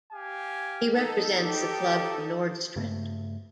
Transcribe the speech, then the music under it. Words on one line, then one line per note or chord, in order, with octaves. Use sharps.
He represents the club Nordstrand.
G4 F5 G#5
D#4 A4
G4
G2 C#3 A3